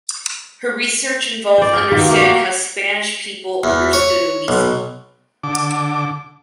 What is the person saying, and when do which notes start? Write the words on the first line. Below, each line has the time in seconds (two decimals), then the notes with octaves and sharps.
Her research involved understanding how Spanish people understood obesity.
1.58 C5 D5
1.73 G#4 A#4
1.92 B2 D#3 A#3
2.09 A3 A#3 G4
2.21 F#4
3.64 E2
3.93 C#5
4.48 B1
5.43 D3 D6